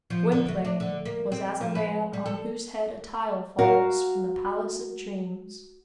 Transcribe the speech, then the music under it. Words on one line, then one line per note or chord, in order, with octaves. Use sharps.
Gwynplaine was as a man on whose head a tile falls from the palace of dreams.
F3
D3
A3
D4
D3
A#3
C4
F3
B4
G3
A4
F#4 A#4 F5